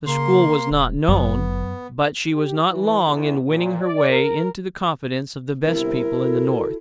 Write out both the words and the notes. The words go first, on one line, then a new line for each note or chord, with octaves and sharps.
The school was not known, but she was not long in winning her way into the confidence of the best people in the North.
C#3 A#3 C6
D#1
G1 F#2 B3
G4
E3
E2
A#2
D5
A#4
G1 C3 E4 A#4
F#4 A4